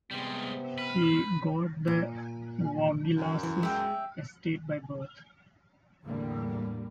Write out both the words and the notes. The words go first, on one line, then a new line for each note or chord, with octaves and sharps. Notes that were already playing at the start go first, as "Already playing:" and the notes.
She got the Vaugelas's estate, by birth.
C3 G3 G#3 B3
B4
A#2
F#2
E3
G#3 E5 G5
E2 A2 D3 G3 A#3